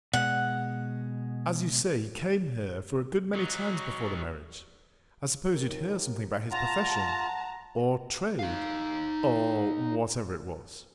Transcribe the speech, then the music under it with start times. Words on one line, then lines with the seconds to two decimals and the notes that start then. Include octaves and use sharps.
"As you say he came here for a good many times before the marriage, I suppose you'd hear something about his profession, or trade, or whatever it was?"
0.14 B2 G#3 F#5
3.34 F#3 D#4
5.54 D#2
6.51 F4 F#5 A5 A#5
8.39 D#4 F5